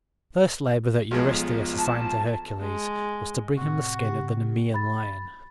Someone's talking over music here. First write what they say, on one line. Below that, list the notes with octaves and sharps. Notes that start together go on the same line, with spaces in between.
The first labor that Eurystheus assigned to Hercules was to bring him the skin of the Nemean lion.
B1 F3 G#3
A5
G#3
A2 C3 F#4
C#3 G4
B5 A6